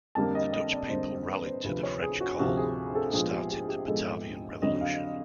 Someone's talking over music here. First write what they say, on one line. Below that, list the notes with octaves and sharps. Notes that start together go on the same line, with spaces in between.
The Dutch people rallied to the French call and started the Batavian Revolution.
F2 D3 G3 A#3 A5
D#5
D#5
D5
F2 D3 G3 A#3 C5
C5
B4
C5
D2 C3 F3 B4
C#5
G#4
F#4
D2 C3 F3 F#4
G#4
A4
A#1 G#2 F3 G#3 B3 G#4
G4
G4
G4
A#1 G#2 F3 G#3 B3 A4
F2 D3 F#3 D#5
F5